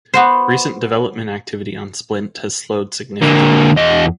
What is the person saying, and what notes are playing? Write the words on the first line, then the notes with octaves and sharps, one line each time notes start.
Recent development activity on Splint has slowed significantly.
B3 F#4 C5
D3 A#3
E2 D#5